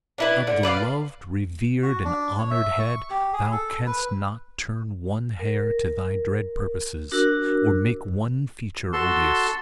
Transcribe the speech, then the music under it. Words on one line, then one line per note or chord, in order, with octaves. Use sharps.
But of the loved, revered, and honoured head, thou canst not turn one hair to thy dread purposes, or make one feature odious.
D4 E4 B4
D3
B4 D5 E5 F5
F#4
D4
C#5
E5
C#6
G4
G#4
A4
B4
A#4
D4 F#4 A#4 E6
F#4 A4 A5 C6